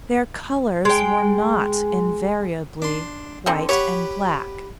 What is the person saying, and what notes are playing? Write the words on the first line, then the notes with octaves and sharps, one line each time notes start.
Their colours were not invariably white and black.
G#3 G5
D4 C6
D3 C4
G4 B4 C#5 F#5